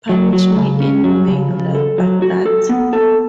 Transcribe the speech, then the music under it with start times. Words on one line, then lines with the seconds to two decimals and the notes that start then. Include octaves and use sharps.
Punish me any way you like but that.
0.09 F#3
0.33 F#3
0.56 C#3
0.80 C#4
1.04 F#3
1.27 C#3
1.51 C#3
1.75 A4
1.98 F#3
2.22 F#4
2.45 A4
2.69 B3
2.93 A4